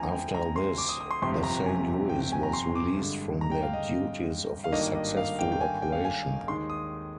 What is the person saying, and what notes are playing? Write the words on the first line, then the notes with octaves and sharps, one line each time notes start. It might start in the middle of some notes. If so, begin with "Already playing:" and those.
After this, the Saint Louis was released from their duties of a successful operation.
Already playing: D2 D3 F3 C4 G#5 A#5
G5
A#5
C6
D6
D#6
D#6
C6
G1 F2 C3 C6
A#5
G#5
G5
G5
G#5
A#5
C6
D6
G2 D3 G#3
A#5
G5
F5
D#5
F5
G#1 G2 D#3 A#3 D4 D#5
D#5
F5
G5
G5
G#5
G5
F5
G#5
D#2 D#3 G#3 C6
D#6